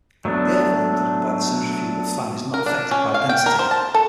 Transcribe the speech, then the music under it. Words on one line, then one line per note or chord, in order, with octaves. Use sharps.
The air volume delivered by the centrifugal fan is not affected by density.
F#3 A3 B3 D4
A#4
D4
C#4
F5
G5
A#4
C5
A5
A4